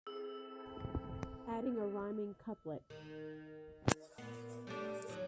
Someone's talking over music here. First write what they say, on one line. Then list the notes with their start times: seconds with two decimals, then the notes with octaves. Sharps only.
Adding a rhyming couplet.
0.07 C4 E4 G#4 A4 E6
2.90 D#3
4.18 A#2 B3
4.67 G3 A3 D4
5.08 D#2 F3 F#3